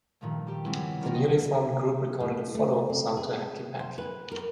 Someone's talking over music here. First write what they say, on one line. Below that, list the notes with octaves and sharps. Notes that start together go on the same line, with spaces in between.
The newly formed group recorded a follow-up song to "Hanky Panky".
G2 A#2 D#3 F3 A3
G3 G4
C#3 F#3 G#3 B3 C4 E4
D#3 G3 C4 D4 F#4 A#4
A#3 D#5
A2
A3
C4
G#4
C5
B4
A#4